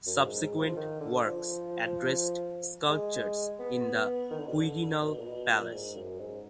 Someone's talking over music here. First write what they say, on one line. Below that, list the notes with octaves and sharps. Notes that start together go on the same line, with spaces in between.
Subsequent works addressed sculptures in the Quirinal Palace.
F#2
G#2
G#2
F3
D#3
D3
F3
G#3
B3
D#3
D3
B2
D3
B2
A#2
B2
A#2
G#2
F#2
G#2